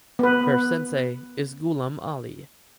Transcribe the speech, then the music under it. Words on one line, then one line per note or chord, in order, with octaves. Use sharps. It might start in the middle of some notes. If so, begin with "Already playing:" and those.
Her sensei is Ghulam Ali.
B3 B4